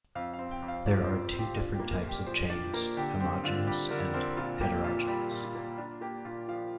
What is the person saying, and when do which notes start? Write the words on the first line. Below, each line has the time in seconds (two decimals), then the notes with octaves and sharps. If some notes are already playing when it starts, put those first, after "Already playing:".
There are two different types of chains: homogeneous and heterogeneous.
0.15 F2 F5
0.34 F5
0.39 C4
0.51 G5
0.62 F2
0.68 F5
0.86 F3 D5
1.04 C5
1.09 F2
1.33 C4
1.39 G4
1.56 D4 F4
1.74 G4
1.80 A#3
1.91 A#4
2.03 A#2
2.08 G4
2.26 F3 C5
2.50 D4 D5
2.73 A#3 A#4
2.97 D3 G4
3.20 C4 G4
3.44 D3 F4
3.67 G3 G4
3.91 D3 A#4
4.14 C4 A#4
4.37 A#2 F4
4.61 A#3 G4
4.84 A#2 F4
5.07 G3 G4
5.31 A#2
5.43 F4
5.55 A#3
5.78 D4 F4
6.01 A#3 G4
6.25 A#2 F4
6.48 F3 F5